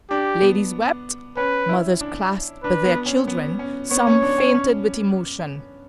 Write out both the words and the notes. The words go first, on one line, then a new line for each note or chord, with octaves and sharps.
Ladies wept; mothers clasped their children; some fainted with emotion.
D4 G4
B3
C#4 B4
E4
D4
D4 B4
B3
C#4
B3
C#4
B3 C#5
C#4
D4
C#4
C#4